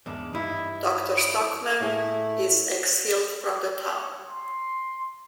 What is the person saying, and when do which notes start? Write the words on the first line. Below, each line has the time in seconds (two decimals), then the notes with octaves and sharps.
Doctor Stockmann is exiled from the town.
0.06 E2 G#2 D4 D6
0.33 G2 D#4 E4 D#5
0.93 D#6
1.81 A2 A3 E4 G#4
3.95 C#5
4.28 C6